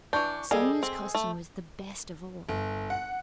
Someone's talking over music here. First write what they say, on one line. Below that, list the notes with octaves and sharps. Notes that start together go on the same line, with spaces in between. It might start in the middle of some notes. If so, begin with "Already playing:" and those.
Sonya's costume was the best of all.
E3 D4 C#6 G6
G3 G#4 A4 D#5
C4
A3
G1
F#5